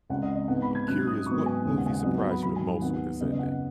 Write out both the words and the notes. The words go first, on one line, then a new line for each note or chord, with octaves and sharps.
I'm curious, what movie surprised you the most with it's ending?
C#2 C#3 G#3 F#5
D#5
D#5
G#2 G#3 B3 F#5
B5
G#6
G#2 F#3 C#4 F#6
D#6
G#2 D#3 F#3 B3 C#6
G#5
D#2 C#3 G#3 B3
F#5
G#5
F#5
G#2 F#3 B3 D#5
F#5
B5
G#2 D#3 F#3 B5
G#5
D#2 D#3 B3 F#5
F#2 C#3 B3 D#5
D#5
F#5